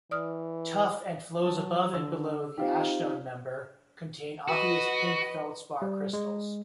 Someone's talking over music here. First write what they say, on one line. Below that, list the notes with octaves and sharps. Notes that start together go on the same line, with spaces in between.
Tuff and flows above and below the ashstone member contain obvious pink feldspar crystals.
E3 D5 D#6 F6
F#3 A5
D3 E6
C4 D#4 F4 G4
F#4 B4 D#5
G3
G#3